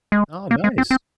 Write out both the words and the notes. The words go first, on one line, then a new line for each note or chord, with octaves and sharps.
Oh, nice.
G#3
A#3
G#3
C4
C4